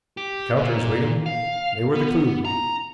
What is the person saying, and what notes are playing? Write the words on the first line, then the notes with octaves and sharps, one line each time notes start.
The counters, Wigan, they were the clew.
G4
A#2
F5
B3
A#5